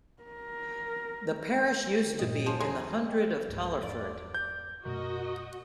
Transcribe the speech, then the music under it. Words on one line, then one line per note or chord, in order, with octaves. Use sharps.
The parish used to be in the hundred of Tollerford.
A#4
D2 D#3
G2 A#2 D#5
E2 F3 F#3 G#5
G#3 C5 A#5
G#3 C4
B1 G2 G#3
E1 G#2 D4 D5
G6
F#2 B2 A3 F#4 A#4 D#5